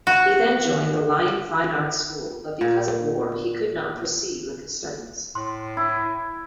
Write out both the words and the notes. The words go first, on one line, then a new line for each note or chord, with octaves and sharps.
He then joined the Lyon Fine Arts School, but because of war, he could not proceed with his studies.
F#4
A#2
A2 C6
E4